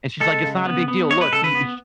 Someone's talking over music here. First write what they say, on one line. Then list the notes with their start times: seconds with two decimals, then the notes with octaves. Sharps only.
And she's, like, "It's not a big deal. Look. He he
0.20 G#3 A4
0.43 C#3
0.66 B3
0.88 B3
1.10 G#3 C#5
1.21 B4
1.33 C#3 A4
1.44 B4
1.55 B3